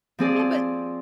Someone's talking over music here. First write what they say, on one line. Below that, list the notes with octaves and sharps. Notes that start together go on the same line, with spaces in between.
Yeah, but
F3 C4 G#4 D5